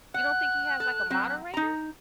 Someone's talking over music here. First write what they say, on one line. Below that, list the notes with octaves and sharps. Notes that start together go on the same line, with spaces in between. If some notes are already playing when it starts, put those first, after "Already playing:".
You don't think he has, like, a moderator?
F#5 F#6
A4
F#3 C4
D#4 A#5